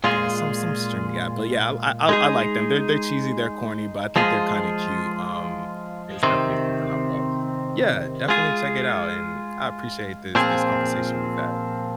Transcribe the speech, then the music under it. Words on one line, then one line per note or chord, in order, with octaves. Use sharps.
Yeah, some some streaming app, but yeah, I l I I I like them. They're they're cheesy, they're corny, but I think they're kinda cute, um, it's definitely something I've watched. Yeah, definitely check it out, and I appreciate this this conversation we've had.
A#2 G#3 F4 G#4
G#3 D#4 G#4
F3 G#3 F4 G#4
C3 D#3 C4
G#3 F4 G#4
A#2 F3 C4 G#4